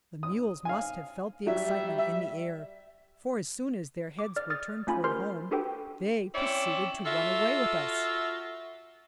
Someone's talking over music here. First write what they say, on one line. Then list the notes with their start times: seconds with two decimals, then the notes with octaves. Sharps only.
The mules must have felt the excitement in the air, for as soon as their heads were turned toward home they proceeded to run away with us.
0.23 D#6
0.65 F5 G#5
1.47 F#3 G3 E5
1.98 E5
4.19 D6
4.36 D5 F6
4.50 D#6 F6 A6
4.87 A3 C#4 F4 G#5 B5
5.04 G4 A#4 C5 C6 F6
5.51 D4 F#4 G4 A4 B4 G5
6.35 C4 C#4 E4 C#5 D5
7.06 F4 F#4 A4 E5